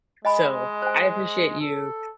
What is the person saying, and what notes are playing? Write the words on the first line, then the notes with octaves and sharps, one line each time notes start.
So, I appreciate you.
G#3 D#5 G#5 B5
C5 G#5
A4